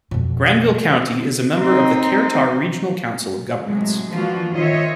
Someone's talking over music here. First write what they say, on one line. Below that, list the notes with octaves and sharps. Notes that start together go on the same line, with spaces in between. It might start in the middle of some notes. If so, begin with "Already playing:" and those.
Granville County is a member of the Kerr-Tar Regional Council of Governments.
F2 B2
C4 D#4
A2 C3 F#3 G#3
E3 F3 A#3 D4 F4 F#4
D#3 F4 C5 C#5 D#5 E5